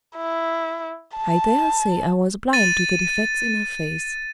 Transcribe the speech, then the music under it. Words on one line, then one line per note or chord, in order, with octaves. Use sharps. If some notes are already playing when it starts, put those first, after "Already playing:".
I daresay I was blind to the defects in her face.
E4
A5
A6 D#7